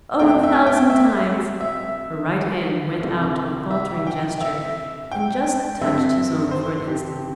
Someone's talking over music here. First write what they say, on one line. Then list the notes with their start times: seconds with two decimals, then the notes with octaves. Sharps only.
"Oh, a thousand times!" Her right hand went out in a faltering gesture, and just touched his own for an instant.
0.19 D2 D3 A3 C4 G5
0.43 E5
0.67 G5
0.90 E5
1.61 E5
3.00 C2 C3 A3 C4
3.71 E5
4.07 G5
4.41 E5
5.11 G5
5.81 G2 D3 C4 E5
6.51 C5
6.88 G4